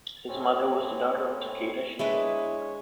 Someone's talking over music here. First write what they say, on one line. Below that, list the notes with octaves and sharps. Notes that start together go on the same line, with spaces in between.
His mother was the daughter of Takeda Shingen.
A2 C4 C#4
G#3 D4 E4 B4 C#5 D#5